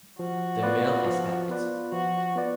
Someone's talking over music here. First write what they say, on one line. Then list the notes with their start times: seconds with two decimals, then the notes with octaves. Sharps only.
De Mille aspect.
0.19 F3 F#4
0.63 B3 F4 B4 D5
1.06 F3
1.49 B3 F4 B4 D5
1.92 F3 F#4
2.36 B3 F4 B4 D5